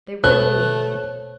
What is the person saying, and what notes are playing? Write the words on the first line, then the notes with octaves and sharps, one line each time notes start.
They would me.
B2 A3 C5 C#5 F#6